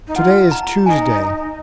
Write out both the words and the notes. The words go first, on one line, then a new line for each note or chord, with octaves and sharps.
To-day is Tuesday.
D#4
F4 F#5
A#5
D#4 G#5